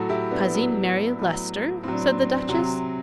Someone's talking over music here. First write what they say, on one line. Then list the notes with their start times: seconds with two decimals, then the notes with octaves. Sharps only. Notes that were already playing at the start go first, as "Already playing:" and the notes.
"Cousin Mary Leicester?" said the Duchess.
Already playing: A2 F#3 F#4 A4
0.09 E4 G4
0.31 B3 D4
0.53 A2 F#3
1.19 A2 F#3
1.83 A2 C4
1.88 F#3 D4
2.01 C4
2.11 D4
2.21 C4
2.29 D4
2.38 C4
2.49 C3 F#3 C4